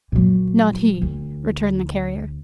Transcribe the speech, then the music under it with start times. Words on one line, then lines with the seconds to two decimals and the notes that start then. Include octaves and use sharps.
"Not he," returned the Carrier.
0.12 A#2 F#3
1.02 D2